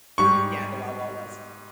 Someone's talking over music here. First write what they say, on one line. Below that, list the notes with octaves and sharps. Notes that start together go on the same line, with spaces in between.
Yeah, the Wild Wild West.
G#2 G3 C#6